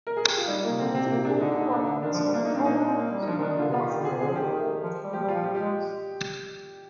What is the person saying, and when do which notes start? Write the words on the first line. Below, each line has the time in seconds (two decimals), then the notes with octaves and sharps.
A typical performance of the whole piece will last a little over twenty minutes.
0.07 A#4
0.17 G#4
0.27 G4
0.37 F4
0.47 G3 D#4
0.59 G3
0.64 A#3
0.69 C3
0.79 D3 C4
0.94 C3 C4
1.10 A#3
1.25 D4
1.41 D3 D#4
1.56 D#4
1.72 D4
2.03 D#3 D4
2.13 F3
2.18 D4
2.24 G3
2.34 A#3 D4
2.44 A#3 D#4
2.54 C4 D4
2.65 A#3 D#4
2.75 D4
2.86 C4
2.97 A#3
3.11 G3
3.22 D#4
3.27 F3 D4
3.38 D#3
3.42 D4
3.48 D#3
3.58 D3 F4
3.68 C3
3.74 F4
3.79 D#3
3.89 D#3 G4
3.99 D3
4.05 G#4
4.10 C3
4.20 D3 G#4
4.30 F3
4.36 D#3 G4
4.83 F3
5.04 G3
5.13 F3 G4
5.23 G3
5.28 F4
5.34 F3
5.44 G4
5.55 G4
5.60 G#3